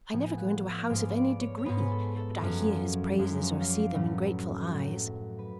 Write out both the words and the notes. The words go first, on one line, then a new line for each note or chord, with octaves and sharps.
I never go into a house of any degree but I hear his praises or see them in grateful eyes.
A2 F3 B3 G#5
F#5
D5
G#2 G#3 B3 F5
D5
C#5
C#5
G#2 G#3 B3 B4
A4
A4
F#2 F3 G#3 C#4
F#2 F3 G#3 C#4
C#5
F5
D5
A2 F#3 A3 C#4 B4
A2 F#3 A3 C#4
B4